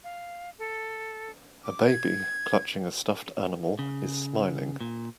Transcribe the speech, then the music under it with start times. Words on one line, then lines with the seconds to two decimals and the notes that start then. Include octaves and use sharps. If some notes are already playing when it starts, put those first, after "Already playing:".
A baby clutching a stuffed animal is smiling.
0.04 F5
0.59 A4
1.64 D6
1.86 G#6
3.79 C#3
4.81 A#2